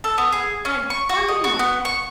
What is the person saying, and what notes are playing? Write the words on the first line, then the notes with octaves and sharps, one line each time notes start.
And--one thing more!
A4
B3
G#4
C#4
C#6
F#4
D#5
F#4
B3
C#6